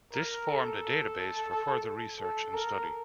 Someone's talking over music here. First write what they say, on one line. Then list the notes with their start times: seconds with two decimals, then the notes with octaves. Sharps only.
This formed a database for further research and study.
0.13 A#4
0.47 A4
2.20 A4
2.54 A#4